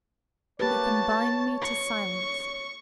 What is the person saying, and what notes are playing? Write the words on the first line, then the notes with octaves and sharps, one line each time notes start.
You can bind me to silence.
A#3 G4 B4 C#5 A5
C#6